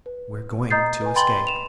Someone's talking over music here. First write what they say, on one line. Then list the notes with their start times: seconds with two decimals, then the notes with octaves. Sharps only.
"We're going to escape!"
0.06 B4
0.70 D#5 A#5 D#6 G6 A6 C7
1.02 B4 G#5
1.15 G5 B5 C6 A6 F#7 G7
1.47 E7 F7